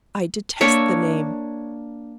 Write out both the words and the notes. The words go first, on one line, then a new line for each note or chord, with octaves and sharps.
I detest the name!
A#3 D4 C#5 E5